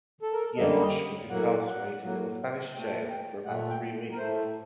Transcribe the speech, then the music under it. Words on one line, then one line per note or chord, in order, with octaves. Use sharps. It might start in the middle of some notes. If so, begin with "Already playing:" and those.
Jentzsch was incarcerated in a Spanish jail for about three weeks.
A4
A#4
A4
F#2 D3 G3 A#3 D#5
D#5
A2 F#3 A#3 F#5
F#5
A2 F#3 A#3
A#2 A3 G5
G5
A#2 A3 F#5
G5
A#4
A2 A3 C5